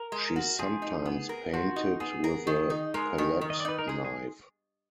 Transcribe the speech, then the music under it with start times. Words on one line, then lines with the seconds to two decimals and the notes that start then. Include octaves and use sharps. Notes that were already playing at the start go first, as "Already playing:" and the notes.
She sometimes painted with a palette knife.
Already playing: A#4
0.12 G#3
0.36 F#4
0.59 F3 G#4
0.82 D#4
1.05 B3
1.29 A#4
1.53 F3 F#4
1.76 D#4
2.00 B3 G#4
2.24 A#4
2.47 D#3
2.70 D#4
2.94 G#3 A#4
3.18 D#3
3.41 D#3
3.50 D#5
3.60 D5
3.65 D#4 B4
3.79 A#4
3.88 G#3 G#4
4.05 G#4